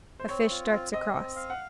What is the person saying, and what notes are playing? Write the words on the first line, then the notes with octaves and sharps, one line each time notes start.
A fish darts across.
C5
C4 C#5
F4
C4
C4 D#5
C4
F5
F#5